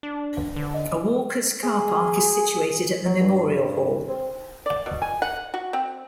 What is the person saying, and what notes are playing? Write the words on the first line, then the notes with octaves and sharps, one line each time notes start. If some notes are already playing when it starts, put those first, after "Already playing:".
A walkers' car park is situated at the Memorial Hall.
D4
D3
D#5
G#4
F#3
G2
C4
D5
B2
G#5
F#5
F#4
C4